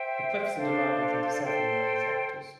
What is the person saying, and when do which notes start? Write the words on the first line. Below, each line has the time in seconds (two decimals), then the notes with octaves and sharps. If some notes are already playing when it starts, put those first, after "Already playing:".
The cliffs are divided into several main sectors.
Already playing: C5 E5 G5
0.55 D4 A4 C5 F5
1.41 A4 C5 G5